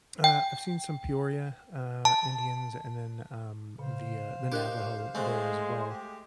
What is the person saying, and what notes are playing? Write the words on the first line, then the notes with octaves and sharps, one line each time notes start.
Uh, I've seen some Peoria, uh, Indians, and then, um, the, uh, the Navajo there as well.
G5
A5
A#2 C#3 C5 F5
D4 D#4 G4 A#4 F#6
G#3 A3 C4 G#5 F#6
G4